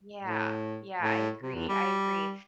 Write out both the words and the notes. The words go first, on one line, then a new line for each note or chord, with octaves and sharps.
Yeah, yeah. I agree, I agree.
A2
A2
C3
E2
G3